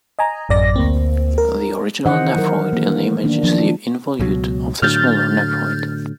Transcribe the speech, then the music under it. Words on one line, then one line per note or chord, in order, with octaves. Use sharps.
The original nephroid in the image is the involute of the smaller nephroid.
D#5 G#5 A#5
A1 F#2 D5 A#6
D2 A#3 C4
A#4
D#3 E3 D#4 C5 D#5 F#5
F#3 A#4
E3 A#3
D#3 A#3 B3 D4
F3 D4
C#2 B2 F#3
A2 D3 F#3 F6 G6 A6